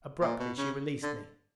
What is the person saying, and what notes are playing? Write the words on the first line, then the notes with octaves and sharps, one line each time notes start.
Abruptly she released me.
A#2
B2
C#3
D3